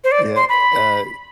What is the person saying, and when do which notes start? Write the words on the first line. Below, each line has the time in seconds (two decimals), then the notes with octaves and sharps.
Yeah, uh uh
0.04 C5
0.12 D5
0.36 C6
0.49 B5